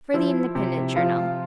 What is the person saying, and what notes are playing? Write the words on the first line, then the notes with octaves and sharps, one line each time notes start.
For the Independent Journal.
F3 E4
C3
F3 F4